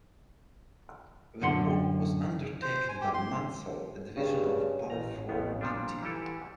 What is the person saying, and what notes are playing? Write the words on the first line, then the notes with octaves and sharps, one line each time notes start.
The work was undertaken by Mansell, a division of Balfour Beatty.
F#2 D3 F#5 C6
C5
G#5
G4
C6
G2 C#3
A1 A#5
A1 F2 B3
A#2 F3 G3 D4
E3 E4 G4 A4